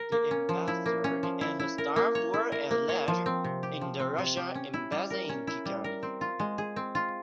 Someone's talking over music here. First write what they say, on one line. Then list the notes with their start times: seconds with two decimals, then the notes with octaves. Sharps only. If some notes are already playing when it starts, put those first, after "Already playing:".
The ambassador and her staff work at large in the Russian embassy in Kigali.
Already playing: A#4
0.12 A#3
0.31 C#4
0.49 F3
0.68 E4
0.86 A#3
1.04 C#4
1.23 F3
1.41 E4
1.60 E4
1.78 A#4
1.96 A#3
2.15 C#5
2.34 E4
2.52 A#4
2.71 A#3
2.89 C#5
3.08 F3
3.26 C4
3.44 C3
3.63 G4
3.81 F3
4.00 C4
4.18 C3
4.37 G4
4.55 C#4
4.74 E4
4.92 G3
5.10 A#4
5.29 C#4
5.47 E4
5.66 G3
5.84 A#4
6.03 C4
6.21 F4
6.40 G#3
6.58 G#4
6.76 C4
6.95 F4